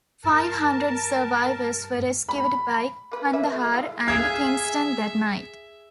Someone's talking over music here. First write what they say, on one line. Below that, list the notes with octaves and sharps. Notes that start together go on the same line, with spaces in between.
Five hundred survivors were rescued by "Kandahar" and "Kingston" that night.
G2 A#4 A5
B5
A#3 B4
A#3 B4 E5
F#3 A3
G#3 E4 F5
G#4 E5 F5 G#6